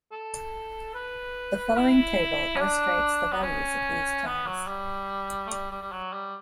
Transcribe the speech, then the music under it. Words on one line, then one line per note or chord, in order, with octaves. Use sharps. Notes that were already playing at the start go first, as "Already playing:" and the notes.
The following table illustrates the values of these terms.
A4
B4
E4
C#4
D4
B3
C#4
B3
F#3
G3
A3
G3
G3
G3
F#3
G3